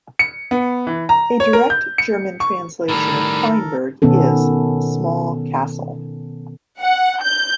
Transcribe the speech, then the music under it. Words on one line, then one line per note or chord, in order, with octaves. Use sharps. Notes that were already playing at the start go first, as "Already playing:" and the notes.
A direct German translation of Kleinburg is "small castle".
C#7
B3
E3
A#5
C#5
A#4
G6
C#7
C#6
A2 D#3 G3 A4 A#4 B5
B2 D#3 B3 C#4 A4
F#5
G6